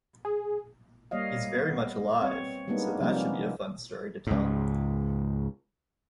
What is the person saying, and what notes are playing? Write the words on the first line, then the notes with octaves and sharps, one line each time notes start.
He is very much alive, so that should be a fun story to tell.
G#4
G3 A#3 C#5 D#5 F5
B3
C4 C#5
G3 G#3 A#3 B3 D4 D#4
C3 F3 G3 G#3 A#3 C#4
C#2 G#2